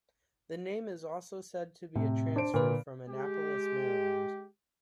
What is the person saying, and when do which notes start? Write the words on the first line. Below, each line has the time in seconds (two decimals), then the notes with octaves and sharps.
The name is also said to be a transfer from Annapolis, Maryland.
1.96 A2 C3
2.36 D4 C5 D7
2.54 A#2 D3 B4
3.10 G#3 G4